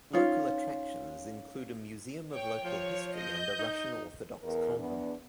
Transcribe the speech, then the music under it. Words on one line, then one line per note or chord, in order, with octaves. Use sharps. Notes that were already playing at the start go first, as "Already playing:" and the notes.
Local attractions include a museum of local history and a Russian Orthodox convent.
C#4 D#4 F4
C#5 G5
F3 C#5
D#5 G6
D#4
E2 A#4
E2 B3 D4